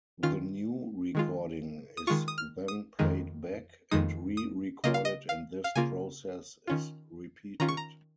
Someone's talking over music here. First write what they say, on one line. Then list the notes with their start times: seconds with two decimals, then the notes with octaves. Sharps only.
The new recording is then played back and re-recorded, and this process is repeated.
0.23 D#3 C#4 F4 F6
1.15 D#3 G#3 F4
1.97 D#6
2.07 D#3 G#3 F4 C#6
2.28 D#6
2.38 F6
2.68 D#6
2.99 F2 D#3 G#3 D#4
3.91 F2 D#3 G#3 D#4 D#6
4.37 D#6
4.84 C#3 A#3 F4 D#5
4.94 F5
5.05 D#5
5.29 F5
5.64 F5
5.75 C#3 A#3 F4 G#5
6.67 D#3 C#4 F4
7.60 D#3 C#4 F4 A#5
7.68 C#6
7.77 A#5